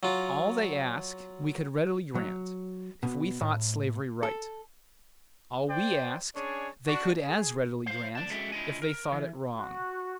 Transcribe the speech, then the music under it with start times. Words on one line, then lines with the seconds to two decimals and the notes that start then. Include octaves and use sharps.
All they ask we could readily grant if we thought slavery right; all we ask they could as readily grant, if they thought it wrong.
0.03 F#3 F4
2.15 F#3
3.03 B2
3.41 A2
4.23 A4
5.68 C5 D5 G5
6.35 C#4 D4 G#4 C#5 D5
6.87 D4 F#4
7.21 G#4
7.86 C5 F5
8.15 D2 D5 A5
8.31 G#3 C#4 F#4 G4 A4 E5
8.52 D4 E4 F4 D#5 G#5
8.82 A#4
9.12 E3
9.54 F#4